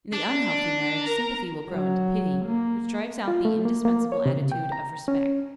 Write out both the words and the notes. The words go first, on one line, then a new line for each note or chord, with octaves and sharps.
In the unhealthy marriage, sympathy will grow into pity, which drives out the indispensable attitude of respect.
D4
A#4 A#5
F#3
A#3
F4
A3
A#3
A#3
C#5
C3
C#3
G5
A#5
C#4